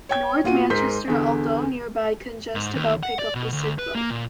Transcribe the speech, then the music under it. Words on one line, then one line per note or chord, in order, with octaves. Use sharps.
North Manchester, although nearby, can just about pick up the signal.
C#5 G5 G#6
A#2 F4 F#4 D#7
G#2 A#4 C6 G6 B6
E2 D3
G#2
D#2
F#5
D5
B2
D2
B4
A#3
A#2